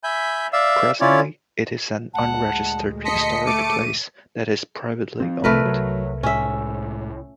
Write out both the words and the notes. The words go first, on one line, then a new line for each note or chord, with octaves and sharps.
Presently, it is an unregistered historic place that is privately owned.
E5 G#5 B5 G6
D5 E5 F5 E6
C#4 E4 F4 C#5 D5
D2 A#2 G#3 F#5 A5
D#5 A5 C6 B6 C#7
A3 D6 C#7 D#7
F3 C4
C2 A3 A#4 B4
F#3
A2 G#3 C#4 E5